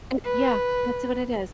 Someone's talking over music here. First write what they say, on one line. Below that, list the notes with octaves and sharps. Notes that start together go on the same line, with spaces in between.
Uh, yeah, that's what it is.
B4